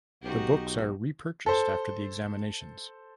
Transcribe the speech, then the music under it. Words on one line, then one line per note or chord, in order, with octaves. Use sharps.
The books are repurchased after the examinations.
B1 D#4 F#4 G4
A4 C5